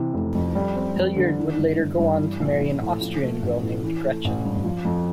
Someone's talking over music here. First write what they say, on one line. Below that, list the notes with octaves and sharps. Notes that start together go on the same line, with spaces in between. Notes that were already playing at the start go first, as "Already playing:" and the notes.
Hilliard would later go on to marry an Austrian girl named Gretchen.
Already playing: C3 E3
F1
F2
G3
C4
F2
D3
E3
G1
G1
G2
E3
A#1
A#1
A2
F3
A3
A1
A2
E3
A3
A1
G2
F3
F2